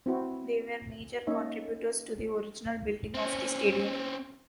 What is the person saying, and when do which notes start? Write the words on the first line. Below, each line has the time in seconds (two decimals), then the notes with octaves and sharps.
They were major contributors to the original building of the stadium.
0.06 C4 E4 F#4
1.27 A#3 C#4 D#4 C#5 E5
3.14 C4 C#4